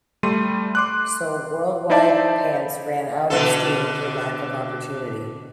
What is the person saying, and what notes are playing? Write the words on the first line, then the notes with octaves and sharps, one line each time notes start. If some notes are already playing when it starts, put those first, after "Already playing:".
So Worldwide Pants ran out of steam for lack of opportunity.
G3 A3 C6 D#7
C6 D6 F#6
D#4 E4 C5 D5 E5 A5
B2 D3 A4